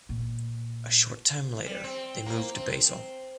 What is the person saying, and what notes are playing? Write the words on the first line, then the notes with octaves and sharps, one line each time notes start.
A short time later they moved to Basel.
A#2
G3
C4
A#3
C4